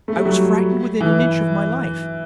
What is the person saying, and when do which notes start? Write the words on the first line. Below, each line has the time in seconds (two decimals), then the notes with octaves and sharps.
'I was frightened within an inch of my life.
0.08 A3
0.17 G3
0.25 F#3
1.01 E3